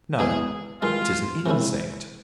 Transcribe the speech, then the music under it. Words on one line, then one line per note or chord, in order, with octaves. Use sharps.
No, it is an insect.
E2 B2 G#3 G#4
G2 D#3 G#3 F4
C3 D#3 G#3 C#4 E4